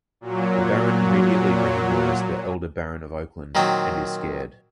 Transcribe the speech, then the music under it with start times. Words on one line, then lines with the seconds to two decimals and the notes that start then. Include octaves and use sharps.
The Baron immediately recognizes the elder Baron of Oakland and is scared.
0.21 A#2 F#3
3.55 A#2 D#3 F#3 C4